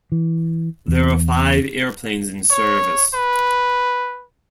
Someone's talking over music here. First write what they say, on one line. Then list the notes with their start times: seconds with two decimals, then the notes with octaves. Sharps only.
There are five airplanes in service.
0.12 E3
0.88 E2
2.51 C#5
3.14 B4